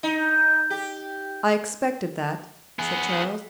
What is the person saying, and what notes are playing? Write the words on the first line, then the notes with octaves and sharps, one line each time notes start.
"I expected that," said Charles.
D#4
G4
B3 G#4